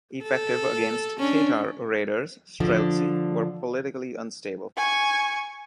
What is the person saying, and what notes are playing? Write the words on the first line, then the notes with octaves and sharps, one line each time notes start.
Effective against Tatar raiders, Streltsy were politically unstable.
A4
C#4 D4
D3 F3 D4
G#5 C#6